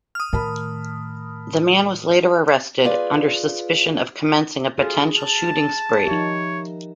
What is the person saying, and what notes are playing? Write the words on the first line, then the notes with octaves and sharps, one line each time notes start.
The man was later arrested under suspicion of commencing a potential shooting spree.
D#6 F6
A2 D#3 A#4 A5 B5
F4 G#4 B4 D5
F4 F#4 G#4 A4
A5 F6
F3 D#4 G4 A#4 C#5 E5